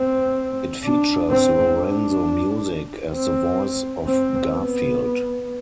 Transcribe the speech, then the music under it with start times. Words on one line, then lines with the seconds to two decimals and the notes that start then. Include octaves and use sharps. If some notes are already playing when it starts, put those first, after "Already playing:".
It features Lorenzo Music as the voice of Garfield.
Already playing: C4
0.84 D4
1.30 C4
1.76 D4
3.15 C4
4.07 C4
4.53 B3